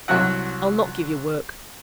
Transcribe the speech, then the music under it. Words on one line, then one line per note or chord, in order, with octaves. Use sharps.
I'll not give you work.
C2 F#3 F#4 F#5